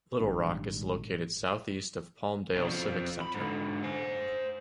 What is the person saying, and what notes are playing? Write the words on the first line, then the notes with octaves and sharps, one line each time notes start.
Littlerock is located southeast of Palmdale's Civic Center.
G#1 A#2 G3 D4
B2 D4
F3 C4
B5
G#2 D3
C5 G#5